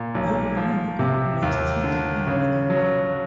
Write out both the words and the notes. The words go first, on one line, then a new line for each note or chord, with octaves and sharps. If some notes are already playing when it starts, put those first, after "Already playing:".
They believe it will last till the end of the world.
Already playing: A#2
B1
F3
C3
D#2
D3
C#3
F#3